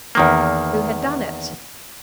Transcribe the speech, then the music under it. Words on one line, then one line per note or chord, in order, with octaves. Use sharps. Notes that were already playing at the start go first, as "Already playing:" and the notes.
Who had done it?
E2 D#3 A#3